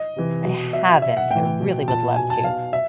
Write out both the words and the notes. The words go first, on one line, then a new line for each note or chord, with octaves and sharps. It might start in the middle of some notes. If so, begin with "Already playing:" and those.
I haven't. I really would love to.
Already playing: D#5
C3 E3
B2
B2 E5
B2 E5
F#5
A2 E3 G5
B2
A#2 A5
B2 G#5
A5
B2 F5
E5